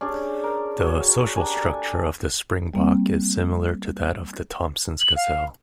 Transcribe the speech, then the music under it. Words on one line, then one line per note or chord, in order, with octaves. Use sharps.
The social structure of the springbok is similar to that of the Thomson's gazelle.
C#4 D4 G#4 D5
A#4
F#4 C#5
D4 G4 G#5 A#5
A4
G3 A#3 C4
F#7
F5